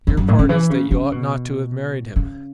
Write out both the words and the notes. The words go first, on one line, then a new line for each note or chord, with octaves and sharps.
Your part is that you ought not to have married him.
E2
F#2
A2
C#3
E3
C#3
C#3
B2
C#3